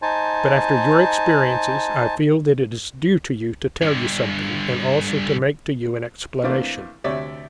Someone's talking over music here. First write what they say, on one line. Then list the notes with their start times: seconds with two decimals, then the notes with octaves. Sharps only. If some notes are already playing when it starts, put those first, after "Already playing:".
But after your experiences I feel that it is due to you to tell you something, and also to make to you an explanation.
0.02 D#4 C5 G#5 A5
3.82 G2 D3
6.43 E3 A3 A#3 C4 D4
7.04 D2 C3 C#5 D5 E5